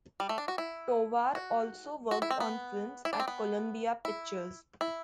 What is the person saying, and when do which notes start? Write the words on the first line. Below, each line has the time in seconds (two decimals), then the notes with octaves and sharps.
Tovar also worked on films at Columbia Pictures.
0.20 G3
0.29 A3
0.38 D4
0.48 F#4
0.58 E4
1.35 F#4
2.11 F#4
2.22 E4
2.30 C4
2.40 B3
3.05 E4
3.13 D4
3.20 C4
3.28 B3
4.05 E4
4.81 E4